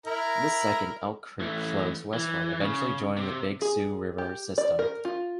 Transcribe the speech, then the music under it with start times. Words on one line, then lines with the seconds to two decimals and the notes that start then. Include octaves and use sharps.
This second Elk Creek flows westward eventually joining the Big Sioux River system.
0.06 E4 A#4 A#5
1.40 E3 A3
2.13 E3
2.61 C#3
3.17 C3
3.62 G#4
4.18 G4
4.58 D5
4.79 A#4
5.05 F4